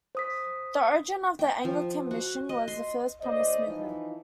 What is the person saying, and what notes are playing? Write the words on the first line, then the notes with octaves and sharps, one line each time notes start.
The origin of the Anglican Mission was the First Promise Movement.
C5 D#6 B6
G5
F3
F#4
D#5
C6
D2 C5 D5 D#5
E3 F3 D#4 E4